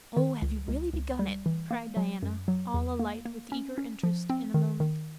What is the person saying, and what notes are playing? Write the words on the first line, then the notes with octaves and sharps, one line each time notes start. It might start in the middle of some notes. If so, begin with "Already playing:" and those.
"Oh, have you really begun it?" cried Diana, all alight with eager interest in a moment.
D#3
C#2
C#2
C#2
G3
E3
A#3
F#3
F#2
F#3
E2
A#3
A#3
C#4
C#4
F3
C4
D#3
D#3